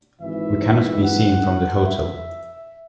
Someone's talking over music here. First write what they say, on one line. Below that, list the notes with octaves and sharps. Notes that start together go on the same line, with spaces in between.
We cannot be seen from the hotel.
G#1 G#2 E3 E5
F#5
E5